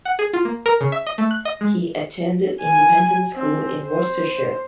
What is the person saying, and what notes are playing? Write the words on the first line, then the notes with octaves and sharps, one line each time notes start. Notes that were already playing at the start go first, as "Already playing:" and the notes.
He attended independent school in Worcestershire.
F#5
G#4
F4
A#3
A#4
C#3
E5
D#5
A3
F#6
D#5
G#3
G#5
C4
C5